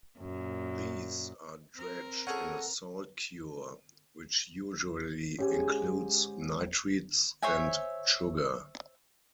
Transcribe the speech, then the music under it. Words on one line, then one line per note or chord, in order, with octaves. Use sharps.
These are dredged in a salt cure, which usually includes nitrites and sugar.
F#2 A#2
C4 A#4
C#4 G#4 A4 F#5
G#2 C#4 G4 G#5
C5 C#5 E5 G#5